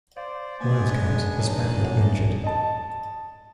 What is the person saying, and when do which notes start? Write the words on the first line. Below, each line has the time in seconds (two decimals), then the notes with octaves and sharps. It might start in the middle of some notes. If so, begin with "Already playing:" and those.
Wildcat is badly injured.
0.17 C5 D5 F5
0.61 A#3 B3 G#5
0.89 C#3 G#3 D4
1.39 E2 F3 D#4 G#4 C#5 A5
1.82 C#5 E5 F#5
2.44 D#5 A5